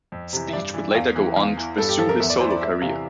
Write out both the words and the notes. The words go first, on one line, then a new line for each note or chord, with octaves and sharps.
Speech would later go on to pursue his solo career.
F2
C3 E3
E5
G2 D5
E3
G5
E2 F5
E3
E2 F5
E3
G2 A4
G4
F3 A4
A#4
E2 E5
D5
E3 C5
D5
E2 E5
C3 E3 F5